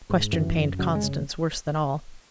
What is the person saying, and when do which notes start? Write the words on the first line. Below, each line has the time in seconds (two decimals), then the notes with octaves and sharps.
The question pained Constance worse than all.
0.10 G#2
0.33 F#2 E3
0.56 F#2
0.79 C#3 F#3
0.95 G#3
1.03 C#3